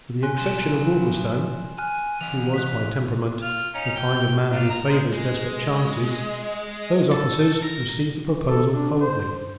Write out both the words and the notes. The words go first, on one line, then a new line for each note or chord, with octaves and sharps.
With the exception of Wolverstone, who was by temperament the kind of man who favours desperate chances, those officers received the proposal coldly.
G#5 C6 F#6
B2 F#3 C6 E7
G#5 F6 F#6
E3 C#4 F7
F#6 B6
F4 F6
C#4 D#4
G5
D4 D#4 F4
A#5
G#3 C5
G#3
A4
A#4
A4
D4
C5